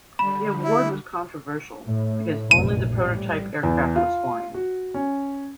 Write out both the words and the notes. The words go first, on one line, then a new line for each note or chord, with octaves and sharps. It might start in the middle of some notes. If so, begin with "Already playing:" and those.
The award was controversial because only the prototype aircraft was flying.
D3 G3 B5
E4
A2
F1 A#1 F#2 D#7
A1 G3
E2
F4
F#4
C#4